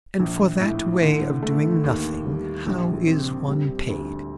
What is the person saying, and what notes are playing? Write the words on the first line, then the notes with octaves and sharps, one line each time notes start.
"And for that way of doing nothing, how is one paid?"
A#1
A2
D3
A3
D#2
G3
A#1
C4
G3
D2